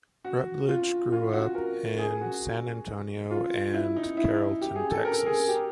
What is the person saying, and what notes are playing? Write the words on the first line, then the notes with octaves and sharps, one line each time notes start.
Rutledge grew up in San Antonio and Carrollton, Texas.
F#4
F4
F4
F#4
A#4
G#4
F#4
F4
E4
D#4
E4
G4
G#4
A4
A#4
G#4
G4